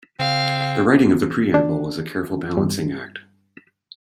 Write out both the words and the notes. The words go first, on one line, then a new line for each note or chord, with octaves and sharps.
The writing of the Preamble was a careful balancing act.
C#3 C4 F5
D4
G2